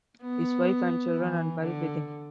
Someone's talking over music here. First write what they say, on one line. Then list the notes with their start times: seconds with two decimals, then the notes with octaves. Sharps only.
His wife and children are buried with him.
0.22 B3
1.14 E3
1.61 D3